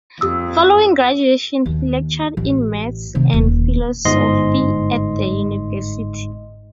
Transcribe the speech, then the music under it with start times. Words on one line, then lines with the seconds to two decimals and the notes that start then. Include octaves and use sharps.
Following graduation he lectured in Maths and Philosophy at the university.
0.21 F2 G4 D#6 E6
1.66 D#2
2.37 A1
3.15 C3 D#3
3.34 D#1
4.05 G1 G#2 D#5 C6